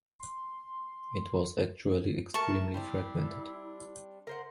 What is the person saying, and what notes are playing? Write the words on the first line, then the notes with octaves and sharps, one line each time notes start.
It was actually extremely fragmented.
C6
A3 A#4 A5 C#6
G3 C4 D4 E4
A#4 C5 F#5